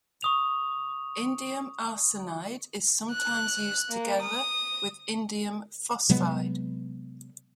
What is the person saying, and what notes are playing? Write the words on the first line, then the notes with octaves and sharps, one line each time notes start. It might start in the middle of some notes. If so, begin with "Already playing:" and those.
Indium arsenide is sometimes used together with indium phosphide.
C#6 D#6 F7
F#6
A#3
D#6
C3 F#3 G#3 B3